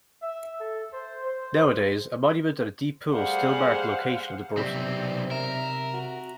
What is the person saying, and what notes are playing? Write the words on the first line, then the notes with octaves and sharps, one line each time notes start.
Nowadays, a monument and a deep pool still mark the location of the bursting.
E5
A4
C5
C5
G3 A3 G#4 C5 F5 F#5
B1 C3 C4 D5 B6
A#4 E5
F#4